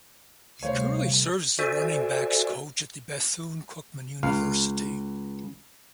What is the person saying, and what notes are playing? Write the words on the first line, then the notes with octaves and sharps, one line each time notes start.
He currently serves as the running backs coach at Bethune Cookman University.
D2 C3 G3 C5 C#5 F5
F#4 A4 C5 D5 E5 G#5
C#2 F5